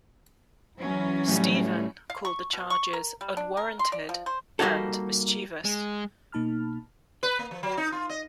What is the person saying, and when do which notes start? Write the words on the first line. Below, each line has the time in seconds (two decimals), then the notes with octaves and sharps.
Stephen called the charges unwarranted and mischievous.
0.81 E3 F#3 C#4
1.28 A2 G3
2.10 F5
2.25 C#6
2.53 B2
2.70 C#6
2.93 A#4
3.21 G3
3.37 D4
3.57 A#4
3.79 C6
3.92 D5
4.09 F3
4.26 C5
4.59 G3 A#3 D#4 F#4 A4
5.65 G#3
6.32 B2 A#3 D#4 A5 B5 F6
7.23 B4
7.39 A#3
7.51 F3
7.63 F#3
7.77 D#4
7.92 F4
8.09 D#5